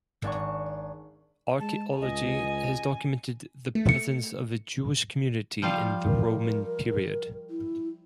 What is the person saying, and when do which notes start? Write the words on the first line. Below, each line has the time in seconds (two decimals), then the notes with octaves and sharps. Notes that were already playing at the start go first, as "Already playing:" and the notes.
Archaeology has documented the presence of a Jewish community in the Roman period.
0.23 G#1 D4 F#5 C#6
1.60 G#3 A5
2.01 C#2 D#5 G#5
3.75 A3
3.89 C#7
5.62 F3 G3 F5
6.06 A#4
7.50 E4